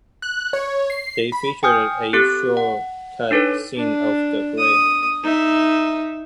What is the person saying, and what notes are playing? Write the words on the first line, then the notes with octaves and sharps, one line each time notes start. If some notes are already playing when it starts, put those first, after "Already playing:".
They featured a short cut scene of the grave.
F#6
C#5
C7
B5
G5 G#5 D#6 F6 G6
C4 G4 A4 F#6
F#5
D4 D#4 A4 B4 C#5
D4
D#6
D#4 E5